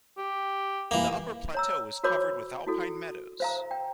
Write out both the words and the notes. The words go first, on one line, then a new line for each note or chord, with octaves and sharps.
The upper plateau is covered with alpine meadows.
G4
E3 A#3
C#5 A#5 E6
F#4 A#4 C5 C#5 B5 D6
E4 F#4 A4
C5 F5 A#5
G5